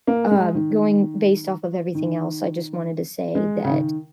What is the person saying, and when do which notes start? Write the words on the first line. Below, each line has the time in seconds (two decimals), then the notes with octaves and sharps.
um, going based off of everything else, I just wanted to say that
0.07 A#3
0.31 G#3
0.55 D#3
1.95 D#3
3.35 G#3
3.64 C#3
3.70 D#3